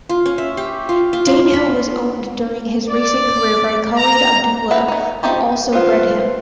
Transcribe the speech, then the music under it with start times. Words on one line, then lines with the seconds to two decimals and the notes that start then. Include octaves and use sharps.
Danehill was owned during his racing career by Khalid Abdullah, who also bred him.
0.09 F4
0.26 C#4
0.38 E5
0.57 G4
0.89 F4
1.13 F4
1.27 F4
1.53 B5
2.88 D5
3.96 A#5
4.71 B3 A4 B4 E5 F#5
4.88 A3 D#4
5.23 F3 A3 D#4 G4 C5
5.73 B3 F4 C5